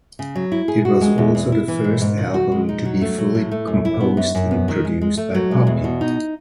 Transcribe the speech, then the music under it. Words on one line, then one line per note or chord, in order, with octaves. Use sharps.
It was also the first album to be fully composed and produced by Poppy.
C#3
F#3
E4
G#4
F#4
G#3
E2
E2
E4
E3
G#2
G#2
D#3
F#4
G#3
D#4
F#3
A3
F#3
A2
A3
F#2
E4
B3
F#2
F#2
B3
D#3
G#3
G#3
A3
F#3
G#3
E2
B2
D#4